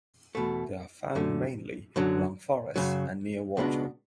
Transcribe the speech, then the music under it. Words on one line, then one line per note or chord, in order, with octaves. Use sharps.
They are found mainly along forests and near water.
E2 B2 A3
F#2 D3 A3
F#2 D3 F#3
F#2 C#3 F#3
C#2 B2 G#3 B3 D4